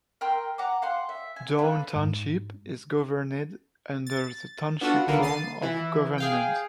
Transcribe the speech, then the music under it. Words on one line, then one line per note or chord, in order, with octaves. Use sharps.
Downe Township is governed under the Township form of government.
A#4 G5 C6 E6
F#5 A#5 D6
F5 F#5 C6
E5
G#5
D4 F4 A4 B4
G#2
A6
B3 D4 F4 F#4 A4
B1 D3 A#3 B3
A6 C7 D#7
E3 E4
G#4 F5 G5